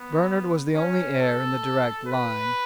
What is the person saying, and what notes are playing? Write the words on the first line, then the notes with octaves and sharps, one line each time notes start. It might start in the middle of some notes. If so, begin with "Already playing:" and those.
"Bernard was the only heir in the direct line."
Already playing: B3
C#4
A4
B4